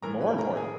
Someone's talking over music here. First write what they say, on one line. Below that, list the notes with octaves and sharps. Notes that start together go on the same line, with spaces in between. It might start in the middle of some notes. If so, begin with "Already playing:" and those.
More important.
A2 E3 A#4 A#5
B4 B5
A#4 A#5
G#4 G#5